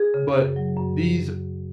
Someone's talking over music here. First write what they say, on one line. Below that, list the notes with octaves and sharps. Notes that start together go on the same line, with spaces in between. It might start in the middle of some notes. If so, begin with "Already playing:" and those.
But these
Already playing: G#4
C#3
F#2
F#3
F#2